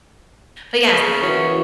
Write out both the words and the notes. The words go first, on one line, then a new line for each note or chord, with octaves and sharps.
But yes. Uh.
C#3
E3 A#3 C#4 F#4 C#5